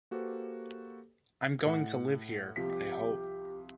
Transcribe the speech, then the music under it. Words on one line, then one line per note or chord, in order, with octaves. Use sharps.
I'm going to live here, I hope.
A#3 F#4 G4 A4 B4 C5
A2 F#5
C2 F3 G4 B6